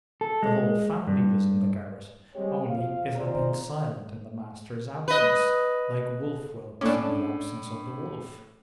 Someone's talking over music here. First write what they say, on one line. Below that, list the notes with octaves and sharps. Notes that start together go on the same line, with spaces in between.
The whole family was in the garret. Only, it had been silent in the master's absence, like wolf whelps in the absence of the wolf.
A4
G#3
G2
G3 G#3 C4 G4 C#5
F2 F3 F5
G#1 G#3 F4 C5 D5 A#5
B4 D#5
A2 A3 C#4 D4 D6